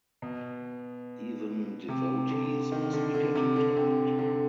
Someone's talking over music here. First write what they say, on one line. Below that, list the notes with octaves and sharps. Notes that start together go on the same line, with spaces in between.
Even devotees must be getting tired.
B2
C3
D3
D#3
D3
D3
C3
D3
C3
D3